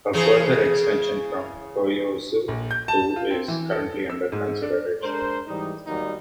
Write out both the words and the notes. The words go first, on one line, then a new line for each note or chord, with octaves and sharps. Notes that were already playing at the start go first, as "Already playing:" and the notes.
A further extension from Toyosu to is currently under consideration.
C#3 E3 G#4
A#1
G6
A5
F4
C4
E3
A4
E6
G#2
D4
G#3 D4 A#4 C5
G#2 E3 G3 D#4
D#3 F#3 G3 A#3 B3 D#4